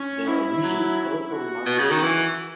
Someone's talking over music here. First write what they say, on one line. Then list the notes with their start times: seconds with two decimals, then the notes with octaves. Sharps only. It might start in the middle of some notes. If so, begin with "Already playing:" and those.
There are usually colorful markings on the head.
Already playing: C#4
0.27 E4
0.63 F#3
1.32 F#4
1.66 B2
1.79 C#3
1.91 D#3
2.03 E3